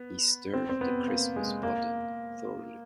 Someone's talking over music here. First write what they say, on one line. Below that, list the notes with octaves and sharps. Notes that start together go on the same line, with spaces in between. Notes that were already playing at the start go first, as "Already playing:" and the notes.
He stirred the Christmas pudding thoroughly.
Already playing: B3
C4
C4
B3
A#3
G#3
A#3